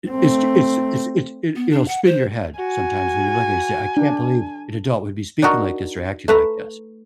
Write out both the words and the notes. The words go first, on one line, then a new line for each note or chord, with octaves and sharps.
It it's ju it's ju it's it it you know, spin your head sometimes when you look and you say, "I can't believe an adult would be speaking like this or acting like this."
A3 C4
B3
D4
F#5
C5
F#4 G#5
D4
D4 D#4 F#4 A#4
A3 B4 A#5